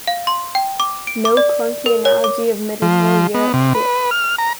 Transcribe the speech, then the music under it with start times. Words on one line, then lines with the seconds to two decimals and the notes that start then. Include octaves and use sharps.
No clunky analogy of medieval Europe here.
0.07 F5
0.27 C6
0.55 G5
0.80 D6
1.07 D7
1.25 D6
1.37 D5
1.86 A#4
2.05 C#5
2.24 D6
2.82 F3
3.34 B3
3.54 C3
3.75 B4
4.11 F6
4.38 A#5